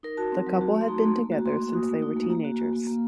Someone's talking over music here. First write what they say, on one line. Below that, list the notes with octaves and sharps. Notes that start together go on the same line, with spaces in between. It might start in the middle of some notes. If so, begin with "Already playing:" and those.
The couple had been together since they were teenagers.
D#4 A#4
F#4 A5
C4
F#3
F#4
A3
C6
D#4 A#5
A3
A#3
F#4
F#4 C6
A#3
F#4 D#6
A3
D#4
A3
A#3 A#5
F#4
F#4
A#3
A#3